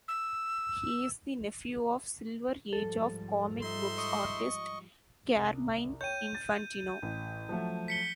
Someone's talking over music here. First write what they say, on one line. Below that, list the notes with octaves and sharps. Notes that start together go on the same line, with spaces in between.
He is the nephew of Silver Age of Comic Books artist Carmine Infantino.
E6
G#2 F3 G3 A4
D#4 E5 C6
D#5 C#6
C2
C#5 G5 G6 D#7
A6
A1
F3 F#3 A3
B6 C#7 G7